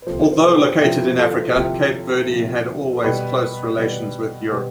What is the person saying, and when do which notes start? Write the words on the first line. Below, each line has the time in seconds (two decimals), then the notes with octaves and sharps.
Although located in Africa, Cape Verde had always close relations with Europe.
0.02 B4
0.07 C3 F3 A4 C5
0.32 C5
0.39 B4
0.46 A4 C5
0.56 G4 B4
0.81 C3 F3 E4 G4
1.18 F4 A4
1.55 C3 F3 E4 G4
2.29 C3 F3
2.93 A4
3.04 B2 G3 G4 B4
3.78 B2 G3
4.52 B2 G3 G4 B4